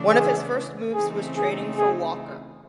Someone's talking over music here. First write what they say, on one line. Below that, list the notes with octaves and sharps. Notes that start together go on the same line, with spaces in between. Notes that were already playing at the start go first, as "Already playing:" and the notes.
One of his first moves was trading for Walker.
Already playing: C#3 E3 A3 D4
G#4
C#3 E3 A3 C4 D#4 G#4
G#4
G#4